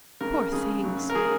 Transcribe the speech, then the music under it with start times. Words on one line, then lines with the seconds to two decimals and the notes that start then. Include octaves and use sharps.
"Poor things!"
0.21 F2 C#3 G#3 A#4
0.52 F2 C#3 G#3 G#4
0.84 F#2 C#3 F#3
1.10 A#4
1.15 C#3 F#3 G#4